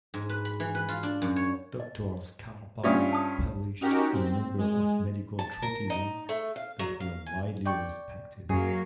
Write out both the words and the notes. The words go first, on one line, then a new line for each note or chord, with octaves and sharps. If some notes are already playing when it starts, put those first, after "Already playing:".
Doctor Scarpa published a number of medical treatises that were widely respected.
G#2
B4
B5
E3
B4
F4
D4
F#2
C#5
D#5
G2 C#4 F4 D5 E5 D#6
A5 D#6
C#4 D#4 F#4 G4 A#4
C4
G#3
A5
A#4
D#4
A3
F5
F#3
F5
G#5
D5 G5 C#6
F#2 F#3 A#3 G#4